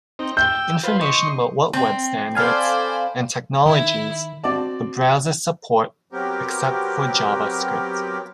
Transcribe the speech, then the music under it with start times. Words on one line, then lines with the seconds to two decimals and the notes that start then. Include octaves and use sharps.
Information about what web standards, and technologies the browsers support, except for JavaScript.
0.19 C4 D#4
0.37 G5 E6 G6
0.83 F4 B4 C5
1.01 D#5 C6 C#6
1.73 C4
2.35 A4 C5 D5 F5 G#5 B5
3.66 D#3 E4
4.44 C4 F#4 D5 A5
6.13 F#3 B3 C4 G4 A#4